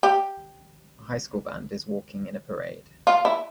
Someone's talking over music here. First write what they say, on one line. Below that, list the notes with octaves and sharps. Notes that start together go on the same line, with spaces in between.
A high school band is walking in a parade.
G4
F4
E4